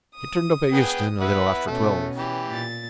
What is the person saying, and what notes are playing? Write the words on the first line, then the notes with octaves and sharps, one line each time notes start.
He turned up at Euston, a little after twelve.
D#6
B3 G#4 G5
B4 E5 F#5
B2 A3 B3 C#4
E3 G4
A#2 A6